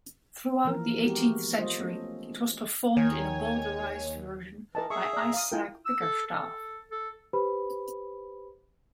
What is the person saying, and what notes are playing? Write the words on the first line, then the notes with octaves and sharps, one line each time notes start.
Throughout the eighteenth century it was performed in a bowdlerized version by Isaac Bickerstaffe.
E3 F3 A#3 A#4
G#3 A#3 B3 F#4 G4 A#4
F4 C5 D#5
A3 B3 C#4 A4
D#2 D#3 C#5 G#5
E3 A#4 D#5 A5
G#4 E5 C#6
D5 A#5
F5 D#6
E4 F4 A#4 G5
E6
A4
A4
A4
G4 B4 C5 B5